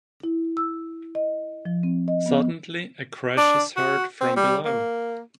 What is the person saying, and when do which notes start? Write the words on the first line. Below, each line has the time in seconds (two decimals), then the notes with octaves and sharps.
Suddenly, a crash is heard from below.
0.23 E4
0.57 E6
1.15 D#5
1.65 F3
1.83 C4
2.08 D#5
2.26 B3
3.37 D4
3.76 F#4
4.21 C4
4.36 G3
4.65 A#3